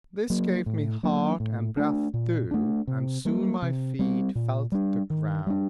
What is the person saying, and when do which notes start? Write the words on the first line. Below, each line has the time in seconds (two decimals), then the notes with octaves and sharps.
This gave me heart and breath too, and soon my feet felt the ground.
0.30 F#3 A#3
0.66 A2
1.03 F#3 A#3 D4
1.40 A2
1.77 A3 D4
2.14 A#2
2.51 A3 D4
2.87 C3
3.25 G3 A#3
3.62 C3
3.99 G3 C4
4.35 A#2
4.72 G3 D4
5.10 D#3
5.47 G3 D4